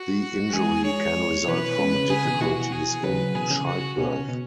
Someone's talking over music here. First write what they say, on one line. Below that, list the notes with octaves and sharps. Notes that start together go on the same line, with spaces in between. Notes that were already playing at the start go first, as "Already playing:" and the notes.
The injury can result from difficulties in childbirth.
Already playing: F#4
E3 G#3 G#4
C#5
B2 E3 B4
G#3 C#4
C#3
C#3 G#4
B2 E3
B2 E3 F#4
G#4
C#3 F#3 B4
B2 E3 G#4
C#3
F#4
B2 C#4
C#3
B2